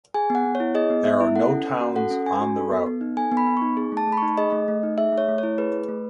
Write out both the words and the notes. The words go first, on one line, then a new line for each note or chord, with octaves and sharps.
There are no towns on the route.
G#4 G#5
B3
F#5
B3
C#5
E4
G#4 D#5
B3
B3 E5
E4
A4 F#5
C#4
C#4
F#4
A4 F#5
C#4
C#4 G#5
F#4
A4
B3
B3
D#4
A4 G#5
B3
B5
B3
C#6
D#4
G#4
A3 A5
A3
B5
D#4 C#6
G#4 D#5
A3
A3
D#4
G#4 E5
A3
C#5
A3
E4 C#5
G#4 B4
A3
A3